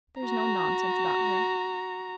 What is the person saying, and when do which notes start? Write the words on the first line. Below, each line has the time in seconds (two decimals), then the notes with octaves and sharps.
"There is no nonsense about her."
0.22 F#4 A#5